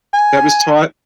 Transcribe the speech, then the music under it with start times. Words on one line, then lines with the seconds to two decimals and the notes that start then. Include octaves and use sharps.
that was taught.
0.14 G#5